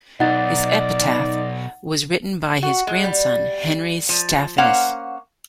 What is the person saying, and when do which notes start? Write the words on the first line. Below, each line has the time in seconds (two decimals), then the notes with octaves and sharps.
His epitaph was written by his grandson Henry Stephanus.
0.20 B1 D#4 D5 F#5 A6
2.63 F#4
2.87 G#3
3.04 G3
4.09 F3
4.58 A#3 C#4 C5 F5 F#5